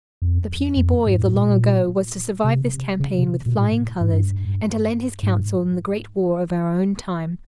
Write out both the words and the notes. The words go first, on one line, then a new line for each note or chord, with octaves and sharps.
The puny boy of the long ago was to survive this campaign with flying colors, and to lend his counsel in the Great War of our own time.
F2
F2
G#2
A2
A#2
C3
C#3
C3
A#2
A2
G#2
G2
G#2